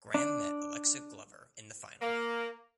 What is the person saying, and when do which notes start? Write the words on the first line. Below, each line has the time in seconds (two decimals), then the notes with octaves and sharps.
Graham met Alexa Glover in the final.
0.14 D4
2.00 A#3